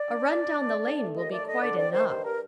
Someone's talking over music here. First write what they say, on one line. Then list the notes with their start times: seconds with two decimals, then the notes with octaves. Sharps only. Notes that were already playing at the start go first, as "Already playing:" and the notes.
"A run down the lane will be quite enough."
Already playing: D5
0.09 D4
0.24 D4
0.40 D4
0.55 D4
0.70 A3
0.86 D4
1.01 A3
1.17 D#2 D#5
1.32 A3 D5
1.48 D3 D#5
1.62 D3 D5
1.78 C4 D5
1.93 D#3 C5
2.09 G2 C5
2.25 G3 A#4